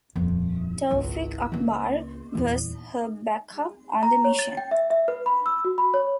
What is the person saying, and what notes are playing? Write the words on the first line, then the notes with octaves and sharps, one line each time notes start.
Taufik Akbar was her backup on the mission.
D#1 F2
G#1 C#2
C#2 A#3
D#1 E2
A#5
C#5
A6
G5
E5
E5
B4
B5
E6
F#4
B5
C#5